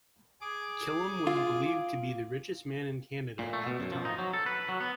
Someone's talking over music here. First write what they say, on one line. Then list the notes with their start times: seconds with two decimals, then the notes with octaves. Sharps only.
Killam was believed to be the richest man in Canada at the time.
0.41 G#4 D6
1.27 F4
3.39 A#2
3.53 A3
3.67 B2
3.80 F#2
3.92 F3
4.05 D#4
4.18 F#3
4.33 A4
4.46 B4
4.69 F#3
4.80 B3